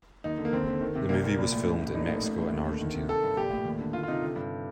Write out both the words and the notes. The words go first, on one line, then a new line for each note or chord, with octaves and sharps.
The movie was filmed in Mexico and Argentina.
D#2 D#4
D3
A#3
D#2 C4
D3
D#3
C3
C2 A#3
A#2 A#3
A#1
A2
A1
A2
A#1 D#4
A2
A1
A2
D#2
D3
D#3
C3
D#3 A4
G2
A#1 G4
A2
D#2
D3
D#3 F4
F4
C3 D#4
D3
G2